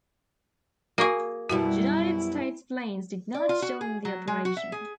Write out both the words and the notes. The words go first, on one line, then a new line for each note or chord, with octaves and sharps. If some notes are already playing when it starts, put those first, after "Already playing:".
United States planes did not join the operation.
A#3 F#4 G#4 C#6
F#2 B2 G3 E4 F#4
D5
F4
F#4
G#4
F#3
G#3
F#4
E5
G#4